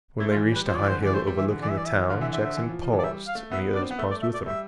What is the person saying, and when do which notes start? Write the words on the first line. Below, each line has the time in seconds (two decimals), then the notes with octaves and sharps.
When they reached a high hill overlooking the town Jackson paused and the others paused with him.
0.20 A3 E4
0.31 F4
0.36 E3
0.52 G3 B4
0.67 F3 C5
0.78 E3 D5
0.89 D3 C5
1.02 E3 D5
1.14 A3 C5
1.27 G3
1.38 E3 E5
1.50 D3
1.62 E3 D5
1.70 E5
1.78 D5
1.86 E5
2.09 D3 F5
2.21 E3 E5
2.33 D3 E5
2.45 E5
2.57 E3
2.69 F3
2.82 F3
2.93 E3
2.99 D5
3.04 G3 E5
3.28 F5
3.35 A3
3.51 B3 E5
3.73 D4 D5
3.82 C4
3.91 B3
3.99 A3 E5
4.10 D5
4.22 E5
4.34 D5
4.46 G3 E5